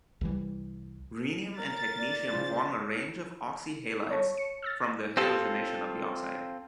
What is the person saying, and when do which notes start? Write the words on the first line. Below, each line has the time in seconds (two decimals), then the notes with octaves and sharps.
Rhenium and technetium form a range of oxyhalides from the halogenation of the oxide.
0.21 C2 E3 G3
1.59 A#4 A6
1.98 D5
2.33 C#3 F3 C5
4.10 C#5 A5 C#6
4.37 C#7
4.62 E6 F6 A6
5.17 C4 F4 G4 A4